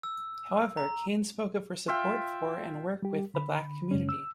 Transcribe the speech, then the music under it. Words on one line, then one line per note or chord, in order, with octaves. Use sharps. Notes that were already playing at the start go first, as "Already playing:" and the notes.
However, Caine spoke of her support for and work with the black community.
E6
A#5
F4 E5 G5
G3 G4
D3 B5
F#2 C#3 G#3 C#4
E6